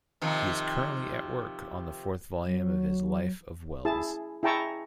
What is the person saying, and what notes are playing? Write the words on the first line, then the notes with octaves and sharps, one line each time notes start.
He is currently at work on the fourth volume of his life of Welles.
C3 D#3 F3
F#3
E4 G#4 A5
E4 G#4 G5 A5 A#5 C#6